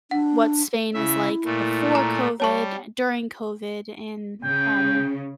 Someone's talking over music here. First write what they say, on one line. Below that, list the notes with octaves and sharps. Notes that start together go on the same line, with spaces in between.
what Spain was like before COVID, and during COVID, and, um,
D4 F#5
C#3 E4 E5
A#2 A3
A#5
G3 C#5 A5 C#6
C#3 G5